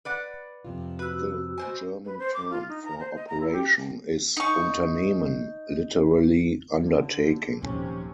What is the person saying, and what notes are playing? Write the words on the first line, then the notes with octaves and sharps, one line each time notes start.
The German term for "Operation" is "Unternehmen", literally "undertaking".
B4 D5 F#5
F2 C3 F4
F#4 B4 E6
B2 C5 G#5
B4
C5
D6
F4
D#4
A#5
C5
D#5
A#5
E4
G4
D#4 C#6
D3
D#1 B1 C3 F3 C#4